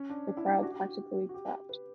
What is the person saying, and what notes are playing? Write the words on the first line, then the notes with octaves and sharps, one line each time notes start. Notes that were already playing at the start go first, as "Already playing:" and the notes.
The crowd practically clapped!
Already playing: C#4
D4
D4
E4
D4
G4
F#4
G4
F#4
G4
F#4
F#4
G4
B4